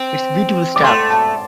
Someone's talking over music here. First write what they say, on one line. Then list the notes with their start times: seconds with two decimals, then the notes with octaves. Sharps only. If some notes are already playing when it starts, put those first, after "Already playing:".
It’s beautiful stuff.
Already playing: C4
0.76 G3 D6
0.84 A3 C6
1.11 A5